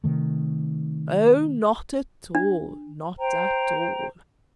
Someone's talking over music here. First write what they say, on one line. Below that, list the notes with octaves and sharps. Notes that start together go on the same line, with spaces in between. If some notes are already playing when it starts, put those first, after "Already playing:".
"Oh, not at all, not at all!"
C3 D#3 A3
D4
C5 G5 A#5